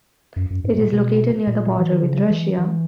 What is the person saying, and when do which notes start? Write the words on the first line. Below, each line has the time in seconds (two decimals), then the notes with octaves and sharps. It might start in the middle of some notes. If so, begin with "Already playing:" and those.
It is located near the border with Russia.
0.36 F#2
0.50 F#2
0.64 G#2
0.79 A#2
0.93 B2
1.47 A#2
1.79 E3
1.91 D#3
2.04 C#3
2.30 E3
2.58 E3